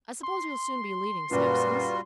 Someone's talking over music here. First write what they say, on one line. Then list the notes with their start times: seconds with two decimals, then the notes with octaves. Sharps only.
I suppose you'll soon be leaving Sampson's.
0.23 C6
1.31 F#2 A#2 G3 F4 F#4 B4